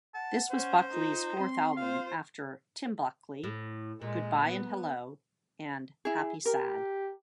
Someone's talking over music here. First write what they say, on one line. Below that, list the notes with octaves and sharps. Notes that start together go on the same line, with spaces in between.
This was Buckley's fourth album after "Tim Buckley", "Goodbye and Hello", and "Happy Sad".
F#5 A5
C#4 C5
D#4 F4
C4 C6
F4 C5 F5
A2
A#2 G#3
B3
E4 G#4
G4 A#4